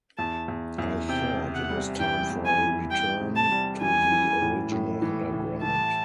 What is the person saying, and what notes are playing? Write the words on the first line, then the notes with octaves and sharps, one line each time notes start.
I thought it was time for a return to the original underground.
E2 A5
E2
E2
C3 G5
C3
F#5
G3
E3 G5
E2
G#5
E3
G3 G5
C3
A5
G3
E3 G#5
E3
A2
A2
E3
A2
E3 A5